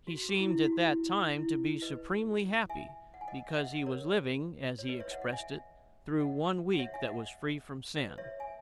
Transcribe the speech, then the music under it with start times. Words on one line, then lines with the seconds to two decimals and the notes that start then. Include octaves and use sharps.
He seemed at that time to be supremely happy, because he was living, as he expressed it, through one week that was free from sin.
0.07 F#4
0.17 F#4
0.29 G#4
0.39 E4
0.50 E4
0.62 F#4
0.72 F#4
0.84 E4
1.39 E4
1.82 B4 D#5
2.70 E5 G#5
3.14 F#5
3.21 G#5
3.28 D#5 F#5
3.49 E5
3.58 D#5 F#5
3.72 D#5 F#5
3.86 A#4 C#5
4.79 C#5
4.89 B4 D#5
5.00 C#5 E5
5.11 D#5 F#5
5.22 D#5 F#5
5.33 E5 G#5
6.20 D#5 F#5
6.74 F#5
6.79 C#5 E5
6.94 E5 G#5
7.08 D#5 F#5
7.96 B4 D#5
8.18 C#5 E5
8.40 E5 G#5